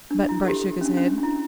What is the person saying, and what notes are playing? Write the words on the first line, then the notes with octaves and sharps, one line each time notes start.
Button-Bright shook his head.
D4
D4
E4
A4
G4
C#4
D4
C#4
D4
D4
E4